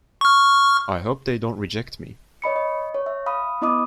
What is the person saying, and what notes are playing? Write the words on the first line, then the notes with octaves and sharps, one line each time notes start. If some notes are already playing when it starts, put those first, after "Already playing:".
I hope they don’t reject me.
C#6 F6
C#5 D#5 B5 C#7
D#5
C#5
E5
F5 B5 D#6
B3 E4 D#5 B5 D6 D#6